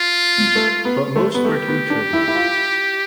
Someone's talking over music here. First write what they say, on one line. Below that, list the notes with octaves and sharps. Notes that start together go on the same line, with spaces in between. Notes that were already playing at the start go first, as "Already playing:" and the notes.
But most were too trivial.
Already playing: F4
A3
B3
A3
B3
A3 G4
B3
D4
E4
E4
F4